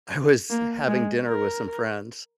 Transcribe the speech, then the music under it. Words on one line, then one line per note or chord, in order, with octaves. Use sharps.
I was having dinner with some friends,
A#3
G#3
A#4